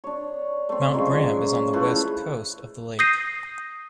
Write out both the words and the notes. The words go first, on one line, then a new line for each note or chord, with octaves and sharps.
Mount Graham is on the west coast of the lake.
D4 C#5
A3 C4
C#3 F3 F#3 G#3
E3 F3 A3 B4
D#6 G6 A#6 C7 D#7